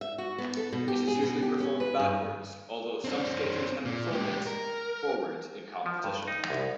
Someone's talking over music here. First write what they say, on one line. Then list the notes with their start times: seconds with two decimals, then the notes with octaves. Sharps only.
It is usually performed backwards, although some skaters have performed it forwards in competition.
0.01 E5
0.18 F#4
0.38 B3
0.57 A4
0.73 B2
0.88 G4
1.08 G#4
1.23 B2
1.42 G4
1.60 C#4
1.80 B4
2.00 G2
3.04 C4 D4
3.85 A#2
4.11 G#3 G4
4.47 A#4
5.86 F3
6.04 G2
6.28 D#4
6.50 C2